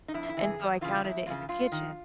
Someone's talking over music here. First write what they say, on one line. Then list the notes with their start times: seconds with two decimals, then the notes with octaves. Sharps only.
and so I counted it in the kitchen.
0.08 D#4
0.14 F2 E4
0.29 E4
0.37 C3 E3
0.44 G#4
0.59 E2
0.81 C#3 E3 F4
1.04 E2 E4
1.26 C#3 E3 F4
1.49 G2 F4
1.72 D#3